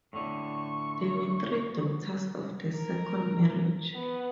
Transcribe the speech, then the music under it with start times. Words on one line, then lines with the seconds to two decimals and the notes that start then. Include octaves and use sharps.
There were three daughters of the second marriage.
0.13 A2 D3 C#6
2.76 A#4
3.95 B3